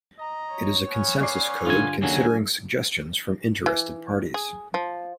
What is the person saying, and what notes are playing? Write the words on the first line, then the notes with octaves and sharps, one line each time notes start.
It is a consensus code considering suggestions from interested parties.
D#5 A#5
C#5
B3 C#4
D5 D6 C7
G2 D3 F4 G#5
D#2 C#3 F#3 G#5
E3
G#4
F3